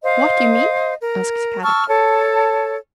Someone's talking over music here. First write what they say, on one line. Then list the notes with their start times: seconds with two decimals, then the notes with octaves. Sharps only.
"What you mean?" asked Kadok.
0.03 C5 D#5 F5
1.01 A#4
1.63 A5 C#6 E6 F6
1.88 A4 C#5 A5